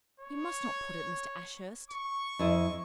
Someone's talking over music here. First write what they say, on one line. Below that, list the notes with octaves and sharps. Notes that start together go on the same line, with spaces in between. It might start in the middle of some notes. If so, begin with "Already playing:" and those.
You must not put it, Mr. Ashurst.
C#5
C#6
F2 E4 D#5